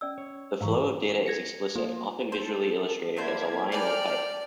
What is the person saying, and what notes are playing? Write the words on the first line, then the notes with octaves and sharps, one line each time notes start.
The flow of data is explicit, often visually illustrated as a line or pipe.
C#4 D5 E6
C#5
G#2 E3 F5 A#5 C#6
G#6 A#6 C#7
F3 A#3
G#4 A4 C5
D3 A3 A#3 E4 C5 A5 G#6
G3 A#4 B4 D5 G5 G#5 F6